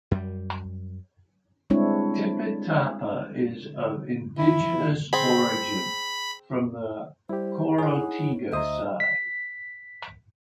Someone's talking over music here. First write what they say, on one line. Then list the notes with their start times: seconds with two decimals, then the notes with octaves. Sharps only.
Tipitapa is of indigenous origin, from the Chorotega side.
0.11 F#2 G3
1.70 G3 G#3 C4 D4 E4 C#5
4.38 E4
5.13 C4 G#4 B5
7.29 G3 E4 G4 C5
7.78 D#4 E4 G#4 C#5 F#5
8.53 D2 C5 D#5 E5 A#5 D#6
9.00 B6